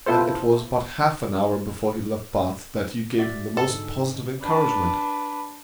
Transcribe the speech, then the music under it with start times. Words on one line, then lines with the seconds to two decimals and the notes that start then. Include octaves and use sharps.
And it was but half an hour before he left Bath that you gave him the most positive encouragement.
0.06 B3 E4 F4 A4 C5
3.18 F#4 D5 E5
3.57 G#2 D3 A4
4.42 D4 B4